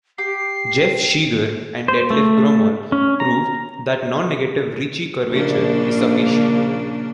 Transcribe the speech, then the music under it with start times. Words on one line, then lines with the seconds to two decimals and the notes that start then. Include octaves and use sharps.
Jeff Cheeger and Detlef Gromoll proved that non-negative Ricci curvature is sufficient.
0.18 G4 C7
1.88 C5
2.10 A3
2.92 C#4
3.20 A#5
5.32 A#1 C#3 A#3 D4